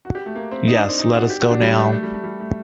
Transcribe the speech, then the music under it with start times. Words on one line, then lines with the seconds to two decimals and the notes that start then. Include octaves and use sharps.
Yes, let us go now.
0.05 F#4
0.15 G4
0.26 A3
0.36 A#3
0.51 C4
0.68 D#4
0.78 D4
0.89 C4
0.99 D#4
1.14 F#4
1.30 G4
1.40 F#4
1.51 D4
1.62 G3
1.72 A3
1.82 A3
1.93 A3
2.03 G3
2.14 A3
2.24 G3
2.40 A3